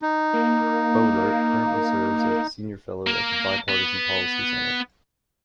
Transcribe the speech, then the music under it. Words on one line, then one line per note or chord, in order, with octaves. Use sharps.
Boehlert currently serves as a Senior Fellow at the Bipartisan Policy Center.
D#4
A#3
A#3 A#4
B3